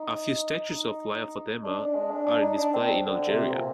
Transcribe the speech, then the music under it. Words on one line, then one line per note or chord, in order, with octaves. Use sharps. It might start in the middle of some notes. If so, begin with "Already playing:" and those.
A few statues of Lalla Fatma are in display in Algeria.
Already playing: D#4
D#4
D4
D4
G#3
D4
D4
D#4
D4
C4
D3
C3
A#2